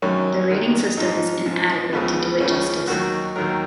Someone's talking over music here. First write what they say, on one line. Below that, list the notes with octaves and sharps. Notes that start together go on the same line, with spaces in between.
The rating system is inadequate to do it justice.
F#2 D#3 F#3 C#4
F#2 D#3 F#3
G#2 F3 D#4
G#2 F3
C#2 C#3 F3 B3
C#2 C#3 F3 C#4
D#2 D#3 F#3 F#4
D#2 D#3 F#3 A#4